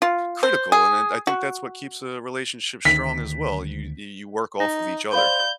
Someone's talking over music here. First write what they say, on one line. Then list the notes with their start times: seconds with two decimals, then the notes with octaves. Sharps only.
critical, and and I think that's what keeps a relationship strong as well, you you you work off of each other.
0.02 F4
0.43 C5
0.72 G#4
1.27 F#4
2.85 D2 D#3 B6
4.60 D#4 A#6
5.13 C5 D5 F5 B5 G6